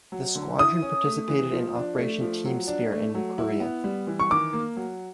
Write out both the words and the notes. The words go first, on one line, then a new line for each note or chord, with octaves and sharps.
The squadron participated in Operation "Team Spirit" in Korea.
F#3
D3
E4 D#6
C#4
A3
E3
F3
D4
A3
F3
F#3
D4
A3
F#3
E4
B3
G3
E3
C#6
D#3 D6
A#3
F#3